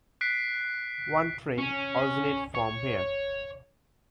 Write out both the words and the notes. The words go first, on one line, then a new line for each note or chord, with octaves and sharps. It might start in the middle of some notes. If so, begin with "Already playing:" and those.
One train originate from here.
F#6 B6 C7 D7
C#4
C#5